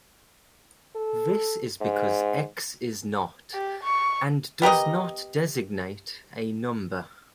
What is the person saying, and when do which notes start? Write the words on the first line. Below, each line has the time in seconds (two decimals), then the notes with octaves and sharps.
This is because "X" is not, and does not designate, a number.
0.96 A4
1.81 G#2
3.54 G4
3.83 C#6
4.62 B3 G4 A#4 D#5